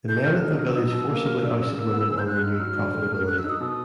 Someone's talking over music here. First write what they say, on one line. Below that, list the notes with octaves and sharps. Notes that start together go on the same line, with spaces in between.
The men of the village forcibly ousted women on renewed profitability.
A3 G6
A3 F6
F#6
D#4 F6
F#3 F6
E6
D#4 D#6
E6
B2
A#3
F#3 F6
D4 E6
C#3 E6
A#3
B3
G#4
G6
G#3 F#6
D#4 F6
E6
F#3 F6
D4
A2
A3
F#3 F#6
E6
D#4
D#6
E6
B2 D#6